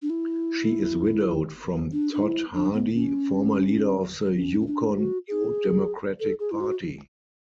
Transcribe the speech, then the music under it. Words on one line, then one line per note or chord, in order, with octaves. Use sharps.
She is widowed from Todd Hardy, former leader of the Yukon New Democratic Party.
D4
E4
D4
D4
E4
D4
B3
C#4
C#4
C#4
D4
F#4
G#4
A4
G#4
E4
F#4